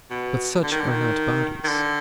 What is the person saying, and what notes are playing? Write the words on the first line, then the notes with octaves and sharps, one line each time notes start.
But such are not bodies.
B2
D3
D#3
D3
D#3
D#3
D3